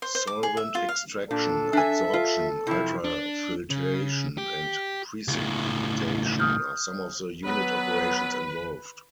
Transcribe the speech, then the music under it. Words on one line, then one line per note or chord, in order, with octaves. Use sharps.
Solvent extraction, adsorption, ultrafiltration, and precipitation are some of the unit operations involved.
C5
C5
D6
G#4
E5
F4
F5
A#2 D4 A4
D4 E5 G#5
F4
C3 F3 E4
D4
C#3
G4
C#2 A2
D#6 F6 G6
F#3 B3 B4